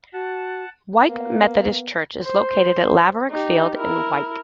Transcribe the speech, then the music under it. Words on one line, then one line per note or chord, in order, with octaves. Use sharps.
Wyke Methodist Church is located at Laverack Field in Wyke.
F#4 F#5 A5
A#3 B3
C5
D#4 G4
E4 A#4